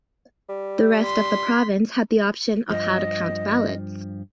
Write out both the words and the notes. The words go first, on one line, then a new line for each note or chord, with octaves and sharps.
The rest of the province had the option of how to count ballots.
G3
C6 B6
G2 F3 D#5